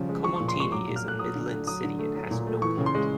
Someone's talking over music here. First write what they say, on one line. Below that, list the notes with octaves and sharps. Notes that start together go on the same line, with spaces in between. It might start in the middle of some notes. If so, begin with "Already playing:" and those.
Komotini is a midland city and has no port.
Already playing: C#3 F3 G3
G#3
F3 C#6
C#6
A#2
C6
G#3 C#6
F#3 D6
A#2
F6
A3 F#6
F#3 D#6
D3
A3
F#3 D#6
D3
A3
F#3
A#2
A3
E3 C#6
C#3
C6
G#3